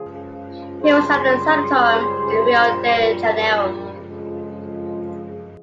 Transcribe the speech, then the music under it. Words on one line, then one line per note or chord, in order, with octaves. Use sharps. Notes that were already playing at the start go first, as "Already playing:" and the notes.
He was at a sanatorium in Rio de Janeiro.
Already playing: C#2 C#3 F3 F4 G#4
C#2 C#3 G3 G#4 C5
A#1 A#2 G3
F2 C#3 F3 G#3